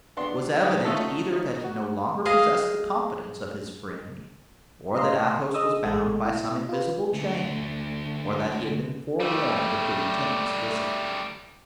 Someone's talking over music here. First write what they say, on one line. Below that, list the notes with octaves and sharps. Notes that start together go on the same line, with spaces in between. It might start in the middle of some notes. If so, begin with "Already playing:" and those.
It was evident either that he no longer possessed the confidence of his friend, or that Athos was bound by some invisible chain, or that he had been forewarned of the lieutenant's visit.
B3 D4 C6
D#4 G4
A3 C#4 D#4 F4 F#4 A4
D#4
F#4
G#4 D#5 F5
D#5 F5 A#5 C6
G#4 D#5 D#6 E6
A1 G#3 A4
E4
F4 B4
D3 A3
G3 A3